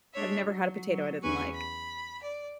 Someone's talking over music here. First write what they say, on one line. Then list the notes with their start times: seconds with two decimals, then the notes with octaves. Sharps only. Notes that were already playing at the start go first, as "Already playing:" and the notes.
I've never had a potato I didn't like.
0.13 G#3 D4 C#5 E5
0.45 F#3
0.90 F#3
1.22 E2 C#4 B4 G#5 C#6
1.54 B5
2.22 D5